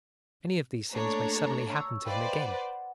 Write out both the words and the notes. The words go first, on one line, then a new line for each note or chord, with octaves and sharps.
Any of these things may suddenly happen to him again.
A3 A#3 D4 A4 C#5 A#5
C#6 E6
B4 C5 D5 D#5 F5 G5
F#5